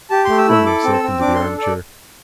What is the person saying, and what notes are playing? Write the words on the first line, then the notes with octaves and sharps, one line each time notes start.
He flung himself into the armchair.
G4 A5
A3 C6
E6
E4
E6
A4 D6
C4
E6
C4
D4 D6
A4 C6
A4 D5